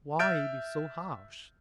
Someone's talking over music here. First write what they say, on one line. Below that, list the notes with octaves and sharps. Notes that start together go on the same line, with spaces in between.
Why be so harsh?
E5 F6 G6 A6 D7